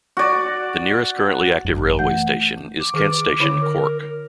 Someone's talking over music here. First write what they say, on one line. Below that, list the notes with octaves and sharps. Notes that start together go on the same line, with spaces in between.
The nearest currently active railway station is Kent Station Cork.
F#4 D5
G#1 F#2
E3 A3 F#5 G6
D6
D#3 G#4 B4
D3 E4 C#5
A#4
A#4